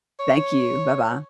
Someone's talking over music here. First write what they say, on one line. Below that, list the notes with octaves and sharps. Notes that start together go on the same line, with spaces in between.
Thank you. Bye-bye.
C#5